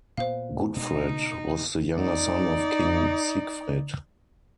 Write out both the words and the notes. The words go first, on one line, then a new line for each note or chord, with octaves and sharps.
Gudfred was the younger son of King Sigfred.
A#2 B3 C5 F5
B2 G#3 D#4
D#4 D5